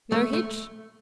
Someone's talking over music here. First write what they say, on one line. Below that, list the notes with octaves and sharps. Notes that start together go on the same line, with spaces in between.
"No hitch?"
A3
A3